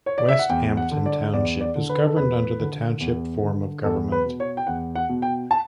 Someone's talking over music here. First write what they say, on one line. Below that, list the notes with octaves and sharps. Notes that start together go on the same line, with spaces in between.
Westampton Township is governed under the Township form of government.
C#5
D5
E5
F#5
E2 G5
F#5
D3
D5
E2 D5
D5
D3
B4
A4
E2 B4
D3
E2
D3
E2 A4
B4
B2
C#5
G5
E2 F#5
F#5
B2
G5
A5